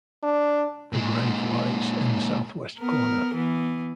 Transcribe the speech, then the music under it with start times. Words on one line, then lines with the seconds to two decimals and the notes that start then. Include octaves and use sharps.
The grave lies in the south-west corner.
0.23 D4
0.93 A#2 G#3
2.80 B3 A#4
3.35 E3 B3